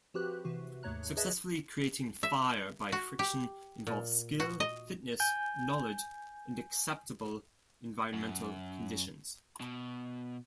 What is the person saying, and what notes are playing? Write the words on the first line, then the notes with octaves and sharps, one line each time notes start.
Successfully creating fire by friction involves skill, fitness, knowledge, and acceptable environmental conditions.
F3 C4 F#4 G4 B4 F#6
C3 E3 F#4
D#2 G#2 A3 C#5 A#5 F#6
G#4 B4 C#5 D#5 E5 A5
E5
F#4
G4
A#2
F#4
D#5
G#5 G6
F#2
B2